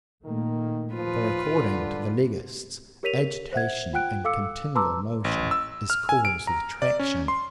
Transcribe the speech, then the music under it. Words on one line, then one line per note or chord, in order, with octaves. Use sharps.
For, according to the Legists, agitation and continual motion is cause of attraction.
A#2 D#3 A3 A#3
D#2 A#2 F3 F4 B4
G#2 D3 G3
G4 A#4 C#5 B6 D#7 F7
C5 E5 F#5 G#6
F4 F#5 G5 F#6 D7
A4 F5 D6 E6 C#7
B4 A5 A#5 C6 D6 E6
A1
E6
F6
G#5
D7
A#5
D5
C#4
C6